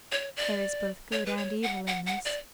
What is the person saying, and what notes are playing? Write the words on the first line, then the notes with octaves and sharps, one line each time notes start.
There is both good and evil in this.
C#5
D5
C#5
B4
C#5
F#5
F#5
F#5
D5